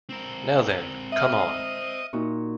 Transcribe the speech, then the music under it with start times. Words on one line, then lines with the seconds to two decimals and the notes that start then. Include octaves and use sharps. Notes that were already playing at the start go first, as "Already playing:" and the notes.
Now, then, come on!
0.09 C4 A#4
1.12 D#5 E5 F6
2.13 A#2 D#4 F#4